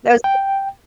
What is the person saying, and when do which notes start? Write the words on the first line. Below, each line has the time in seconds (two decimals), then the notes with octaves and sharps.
That the
0.24 G5